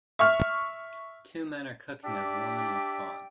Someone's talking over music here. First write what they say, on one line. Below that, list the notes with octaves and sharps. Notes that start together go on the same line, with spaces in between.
Two men are cooking as a woman looks on.
E5 C#6 F6
D4 G4 D5 E5 G5